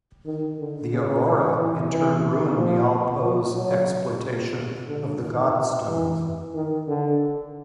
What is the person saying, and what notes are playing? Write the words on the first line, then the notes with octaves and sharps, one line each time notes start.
The Aurora in turn ruined Niall Poe's exploitation of the God Stones.
D#3
D3
C#3
E3
E3
F3
F3
F#3
D3
D#3
E3
D#3
D3